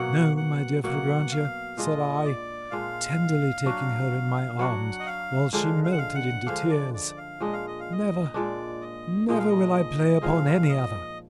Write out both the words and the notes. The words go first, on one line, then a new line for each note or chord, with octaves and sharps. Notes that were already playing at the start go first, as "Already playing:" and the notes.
"No, my dear Fragrantia," said I, tenderly taking her in my arms while she melted into tears; "never, never, will I play upon any other----!"
Already playing: B2 F#3 A#3 F#5
F#5
B2 F#3 A#3 F#5
F5
A#2 G#3 D4 F4 D#5
D5
A#2 G#3 D4 F4 F5
F#3 D4 F#4
F#3 D4 F#4 F#5
D#5
F5
D3 F3 G#3 D4 F5
F5
F#5
F5
F#5
D3 F3 G#3 D4 F5
D5
D5
F5
A#2 G#3 D4 D#5
F5
D#5
F5
D#5
A#2 G#3 D4 D5
D#5
A#2 F3 G#3 D#4 D#5
F5
D#5
A#2 F3 G#3 D#4 F5
D#5